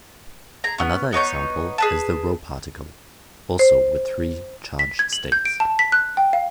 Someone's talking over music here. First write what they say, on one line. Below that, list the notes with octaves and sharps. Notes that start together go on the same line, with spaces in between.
Another example is the "rho particle", also with three charged states.
G#4 A#5
B3 C#4
B3 D#4 C#5 G6
G#4 B4 A5
C5
B6
G#6
F#7
G6
D7
A5
B6
F#6
G5
F5